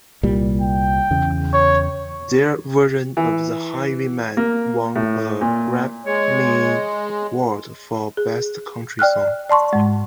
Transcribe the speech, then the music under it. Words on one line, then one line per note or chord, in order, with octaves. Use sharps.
Their version of "The Highwayman" won a Grammy Award for Best Country Song.
C2 A#2 G3
G5
E2 C#3
C#5
E3
A#3
A2
A#2
G#3 C#5
G#4
D5 G5 F6 F#6
D5 A5 C6 C#6
G#2 G#3